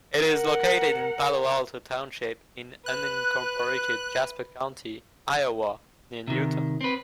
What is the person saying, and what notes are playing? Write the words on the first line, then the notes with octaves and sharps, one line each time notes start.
It is located in Palo Alto Township, in unincorporated Jasper County, Iowa, near Newton.
A#4 F#5
B4 F#6
C3 D#3
C4 B4